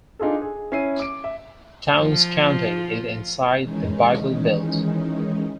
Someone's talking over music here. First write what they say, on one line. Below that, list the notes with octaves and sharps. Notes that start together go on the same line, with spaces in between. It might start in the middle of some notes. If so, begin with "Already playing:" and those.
Towns County is inside the Bible Belt.
D4 D#4 F4 G#4 A4
G#4
C#4 E4 C7 D#7
D6 D7
E5
F3 F4
D#3 E3 G#3 C#4 D#4